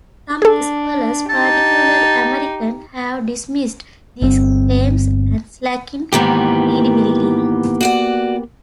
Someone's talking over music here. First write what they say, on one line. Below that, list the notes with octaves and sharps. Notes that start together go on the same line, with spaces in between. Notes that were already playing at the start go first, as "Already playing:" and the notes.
Some scholars, particularly American, have dismissed these claims as lacking credibility.
D4 G#4 A4
D#4 G4 A5
G1 C4
G#2 D#3 E3 A#3 B3 G4
F#4 D5 F#5